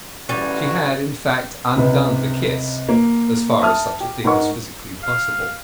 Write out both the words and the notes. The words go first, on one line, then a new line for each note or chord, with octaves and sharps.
She had, in fact, undone the kiss, as far as such a thing was physically possible.
A1 G3 C#4 F#4
C#2 C3 B4
A#3
E5 A5 D#6 F6
G4
G#2 A#4 D#5 F#5 C#6
F5